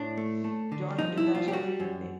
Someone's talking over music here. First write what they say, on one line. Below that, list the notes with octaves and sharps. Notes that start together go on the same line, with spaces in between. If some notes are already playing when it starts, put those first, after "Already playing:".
John Henry Nash agreed with me.
Already playing: A2 D4
A3
A3
D3
F3 D#4
E4
F3
F4
G4
G3 F#4
F#2